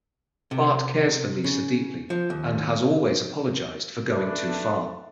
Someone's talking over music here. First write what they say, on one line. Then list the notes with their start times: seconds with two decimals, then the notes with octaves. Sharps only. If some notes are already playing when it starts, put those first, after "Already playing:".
Bart cares for Lisa deeply and has always apologized for going too far.
0.51 C3
1.44 C#3
2.10 F3
2.30 D#2
4.10 A3 D4 B4